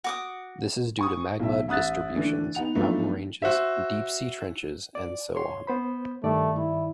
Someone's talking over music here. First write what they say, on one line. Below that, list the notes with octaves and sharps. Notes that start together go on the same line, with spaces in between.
This is due to magma distributions, mountain ranges, deep sea trenches, and so on.
F#4 D6 D#6
G#5 C#6 D#6
B1 E5
A1 E5 D#6 F#6 A6
D3 E3 A3 D4
B3 D#4 F#5 F7
F3 F#3 A3 B3 D4 D#4
F#4 C5 E5
D5
C#5 C6
B3 C5 B5
G2 D#3 A3 D5
E4